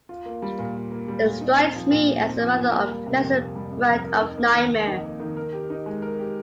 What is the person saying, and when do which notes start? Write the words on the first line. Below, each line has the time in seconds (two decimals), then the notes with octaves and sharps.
It strikes me as a rather unpleasant brand of nightmare.
0.09 F4
0.26 A#3
0.42 G3
0.58 A#2
0.75 F4
0.91 A#3
1.08 G3
1.25 A#2
1.41 D#4
1.58 C4
1.75 F3
1.91 A#2
2.07 D#4
2.23 C4
2.40 F3
2.57 A#2
2.73 A#3
2.89 G3
3.06 C3
3.22 F2
3.39 A#3
3.55 G3
3.72 C3
3.89 F2
4.04 A#4
4.21 D#4
4.38 A#3
4.54 D#3
4.71 A#4
4.87 D#4
5.04 A#3
5.20 D#3
5.37 A#4
5.53 G4
5.70 D#4
5.86 G#3
6.02 A#4
6.19 G4